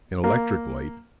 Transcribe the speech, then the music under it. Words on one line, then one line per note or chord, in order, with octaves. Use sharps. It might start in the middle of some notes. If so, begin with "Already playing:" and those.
"An electric light?"
A#3